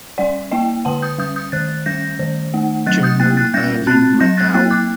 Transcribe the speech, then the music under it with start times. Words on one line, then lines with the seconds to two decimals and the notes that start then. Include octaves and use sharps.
General Irvin McDowell.
0.18 G3 D5 F#5
0.51 A#3 D#5 G5
0.85 D3 F#5 A5
1.02 D#6 G6
1.18 G3 D#6 G6
1.36 D#6 G6
1.52 D#3 F#6 A6
1.86 G3 G6 A#6
2.19 D#3
2.54 A3
2.86 F#3 F#6 A6
3.03 D#6 G6
3.20 A#3 F#6 A6
3.37 F#6 A6
3.54 G3 G6 A#6
3.87 C4 F#6 A6
4.20 F#3 G6 A#6
4.37 F#6 A6
4.54 A#3 F#6 A6
4.70 D6 F#6